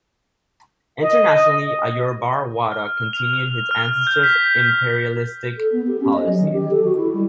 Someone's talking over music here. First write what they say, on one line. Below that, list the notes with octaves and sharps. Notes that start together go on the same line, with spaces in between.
Internationally, Ayurbarwada continued his ancestors' imperialistic policies.
D#5
F6
F7
F6
F6
G6
B6
A4
B3
G4
C#4
D#5
F#3
D#3
G4
A4
F#4
E4
G3